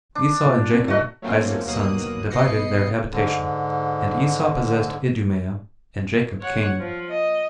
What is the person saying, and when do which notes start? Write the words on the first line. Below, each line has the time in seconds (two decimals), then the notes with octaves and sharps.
How Esau And Jacob, Isaac's Sons Divided Their Habitation; And Esau Possessed Idumea And Jacob Canaan.
0.15 D4
0.46 A#2
0.73 A2 C4
0.88 A3 D#4 E4 F#4 D#5
1.22 F#3 A3 A#3 C4 C#4 F4
1.66 D#2 B2 F#3 A#3 D#6 F#6
2.30 A1 B2 B4 D#5 C7 C#7
3.12 G#2 D3
6.41 C#5 F#5
6.79 F3
7.08 D#5